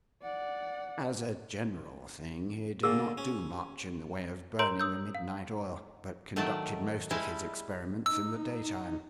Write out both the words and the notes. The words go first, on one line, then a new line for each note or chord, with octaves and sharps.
As a general thing, he did not do much in the way of burning the midnight oil, but conducted most of his experiments in the daytime.
D5 F#5
A#2 D3 G#4 E6
C#4
A#4 C#5 A#5 C6 G6 D7
D#6 E6 G6
F5
D#3 F#3 A3 D5 A5
G3 G#3 E4 G#5 A5
D#4 E6